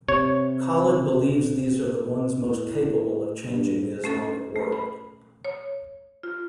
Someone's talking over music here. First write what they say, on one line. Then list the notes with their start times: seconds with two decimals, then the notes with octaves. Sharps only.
Khaled believes these are the ones most capable of changing the Islamic world.
0.09 C3 C#5
2.38 A2
3.45 G2
4.04 A3 C#4 A4
4.56 A3
4.72 B5
5.45 C#5
6.23 F4